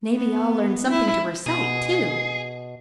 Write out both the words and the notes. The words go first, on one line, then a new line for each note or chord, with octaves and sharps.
"May be I'll learn something to recite, too."
B3
E4
B2 G#4